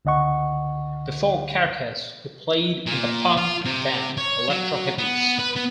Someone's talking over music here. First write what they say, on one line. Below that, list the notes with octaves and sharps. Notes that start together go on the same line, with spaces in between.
Before Carcass, he played in the punk band Electro Hippies.
C#2 D3 D#5 F#5 C#6
A#2
F4
C3
C#5
F#3
B3
B4
B3